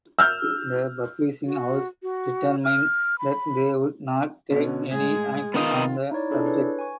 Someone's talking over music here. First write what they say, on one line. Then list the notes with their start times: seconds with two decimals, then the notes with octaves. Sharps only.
The publishing house determined that they would not take any action on the subject.
0.19 E6 F6 G6
1.45 F#4
2.03 F#4
2.64 F6
3.19 B5
4.50 B2 D3 C#4
4.92 A2 G#3 G#4
5.54 D#3 B3 F4 A#4 D#5
6.11 D#4 E4 C#5 D5
6.31 D4 E4 F4 G#4 A4 D5
6.46 B4 C#5
6.79 G#5 C#6